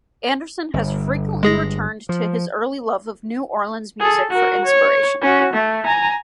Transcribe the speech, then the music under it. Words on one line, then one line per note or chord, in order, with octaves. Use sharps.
Anderson has frequently returned to his early love of New Orleans music for inspiration.
G1
G#3 G#4 A#6
F3
G#4 A4
F#4 A#4
C#5
C#4 F#4
A3
G#5 A#5